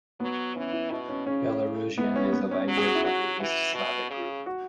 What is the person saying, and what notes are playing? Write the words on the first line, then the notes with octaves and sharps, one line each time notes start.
Belarusian is a language of the East Slavic group.
F#3 B3
E3 C#4
E4
B2 E4
C#4
C#3 C#4
E3 B3
C#4
B3
C#4
F#3
G#4
F#4
E4
F#3 F#4
E3
B2
C#3
F#4